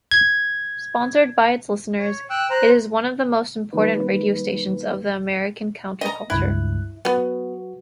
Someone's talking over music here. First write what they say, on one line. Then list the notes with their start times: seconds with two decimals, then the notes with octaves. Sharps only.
Sponsored by its listeners, it is one of the most important radio stations of the American counter-culture.
0.11 G#6
1.99 C#5
2.30 G5 E6 F#6
2.50 C5 A#5 F#6
3.73 D#3 F#3 G3 A#3 D#4 B4
6.01 D#5 A#5
6.30 C#2 G2 E4 F#6
7.05 F#3 B3 F#4